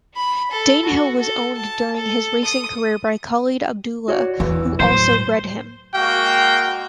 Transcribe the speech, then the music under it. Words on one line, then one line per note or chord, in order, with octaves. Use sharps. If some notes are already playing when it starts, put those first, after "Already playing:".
Danehill was owned during his racing career by Khalid Abdullah, who also bred him.
B5
A4
F#4
A4
A5
A4
D#6
F#4 C#5 D5
E2 E3
A2 F#3 C5
G#3 A#3 F#4 F5 G5